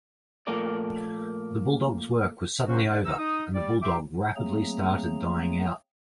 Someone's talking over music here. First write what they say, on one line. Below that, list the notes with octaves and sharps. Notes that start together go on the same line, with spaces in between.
The bulldog's work was suddenly over and the bulldog rapidly started dying out.
A#2 F3 A3 A#3 A#4 D5
C#3 C#4 F#4 C5
A#3 D4 C5 D5 F#5
E3 D#4 E6
D#4 D#6
G3 D5
G4 E5 G5 C6 D6
F#3 A3 A#3 C4 G#4 A#5